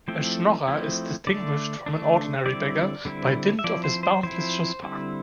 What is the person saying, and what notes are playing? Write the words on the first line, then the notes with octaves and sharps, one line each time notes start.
A "schnorrer" is distinguished from an ordinary beggar by dint of his boundless chutzpah.
F3 A3 C4 E4 G5
F3 A3 C4 E4
D3 A3 D4 D5
D3 A3 D4
D3 G3 C4 E4 D5
D3 G3 C4 E4
E5
F3 C4 E4 D5
C5
C5
F3 C4 E4 C5
D3 G3 C4 E4